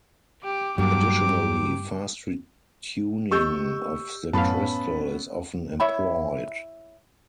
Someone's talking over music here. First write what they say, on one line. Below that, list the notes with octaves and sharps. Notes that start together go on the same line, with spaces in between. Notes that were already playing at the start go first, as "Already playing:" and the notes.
Additionally fast retuning of the crystal is often employed.
G4 D6
G2 F#3 A#3 G4 D6
G4 D#5 C#6 E6 G6
F#2 A2 B3 C#4 F5 A5 B5
E4 C#5 E5 B5